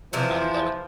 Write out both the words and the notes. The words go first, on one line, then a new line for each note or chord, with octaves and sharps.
I love it.
C3 E3 F3 E4